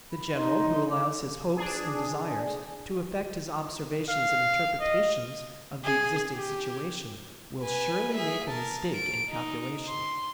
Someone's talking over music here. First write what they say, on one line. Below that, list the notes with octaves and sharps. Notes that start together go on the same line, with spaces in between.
The general who allows his hopes and desires to affect his observations and interpretations of the existing situation will surely make a mistake in calculation.
B5
D#4 D#5 C6
D6
D4 G#4
F5
D#5
G#4
G4
B4 G#5
G#4 E5
A#4 A5
D7
D#4
C6